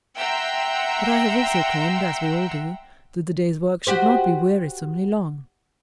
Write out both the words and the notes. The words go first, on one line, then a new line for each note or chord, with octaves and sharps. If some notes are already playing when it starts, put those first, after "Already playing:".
But I have also claimed, as we all do, that the day's work should not be wearisomely long.
E5 F#5 G5 A#5 C6 E6
F#4 G4 C5